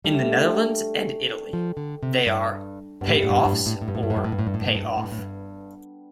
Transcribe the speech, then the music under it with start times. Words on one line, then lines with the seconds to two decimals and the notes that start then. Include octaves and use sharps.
In the Netherlands and Italy, they are "pay offs" or "pay-off".
0.04 G3 A3 D4 G4
1.53 F3
1.77 D3
2.03 C3
2.26 G2
3.01 G2 G3 B3 D4 G4
3.08 A2
3.15 G2
3.23 A2
3.29 G2
3.37 A2
3.45 G2
3.52 A2
3.59 G2
3.66 A2
3.74 G2
3.81 A2
3.88 G2
3.95 A2
4.03 G2
4.10 A2
4.17 G2
4.24 A2
4.32 G2
4.39 A2
4.47 G2
4.54 A2
4.61 G2
4.68 A2
4.75 G2
4.83 A2
4.89 G2
4.97 A2
5.04 G2
5.12 A2
5.18 G2